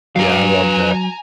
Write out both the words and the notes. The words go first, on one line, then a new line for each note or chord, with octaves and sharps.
Yeah, I love that.
F#3 B4 F5 G#5 A#5